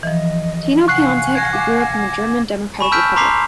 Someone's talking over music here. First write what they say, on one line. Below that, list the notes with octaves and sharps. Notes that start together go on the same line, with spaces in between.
Tino Piontek grew up in the German Democratic Republic.
E3 F3 D#5
C3 F5 F#5 G#5 C#6 F#6 C7
G#6 A#6
D6
G#5 B5 C#6 E7
A5 E6 F6 G6 B6 D7
A#5 C6 D6 B6 C7 F7